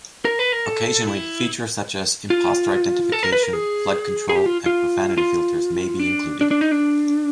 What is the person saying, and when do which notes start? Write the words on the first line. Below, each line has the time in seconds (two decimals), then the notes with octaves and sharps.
Occasionally, features such as impostor identification, flood control, and profanity filters may be included.
0.25 A#4
0.39 B4
0.52 A#4
0.66 A4
1.07 E4
2.30 F4
3.12 A4
3.23 A#4
3.33 B4
3.43 A#4
3.53 G#4
4.29 G#4
4.36 G4
4.46 F4
4.66 F4
5.18 F4
5.99 D4
6.41 D4
6.51 D4
6.61 D#4
6.71 D4